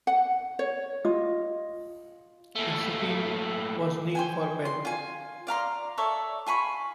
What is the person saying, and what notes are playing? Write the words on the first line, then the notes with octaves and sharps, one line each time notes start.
The city was named for Ben.
F#5
C#5
F4 D#5
A#2 A3
C5 G5 G#5
C6
F4 G#5
D5 F5 A#5 C6
A4 C#5 D5 E5
F4 G#5 B5 C#6